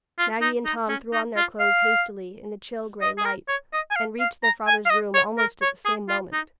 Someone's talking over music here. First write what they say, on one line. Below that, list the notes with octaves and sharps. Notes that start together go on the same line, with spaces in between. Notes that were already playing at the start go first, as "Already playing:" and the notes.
Maggie and Tom threw on their clothes hastily in the chill gray light, and reached their father's room almost at the same moment.
F4
D#4
D#4
C#4
D#4
F4
F5
D#5
G#4
A#4
C#5
D#5
G#5
F5
F5
A#5
G#5
F5
D#5
C#5
A#4
C#5
G#4
F4
D#4